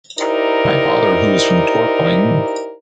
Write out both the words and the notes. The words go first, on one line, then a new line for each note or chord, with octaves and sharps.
My father who was from Tourcoing...
D#4 E4 G4 A#4 C5 D5